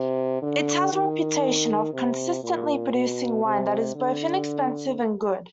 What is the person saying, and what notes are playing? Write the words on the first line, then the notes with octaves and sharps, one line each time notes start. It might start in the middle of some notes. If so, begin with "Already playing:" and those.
It has a reputation of consistently producing wine that is both inexpensive and good.
Already playing: C3
D3
D#3
C3
A#2
B2
C3
D3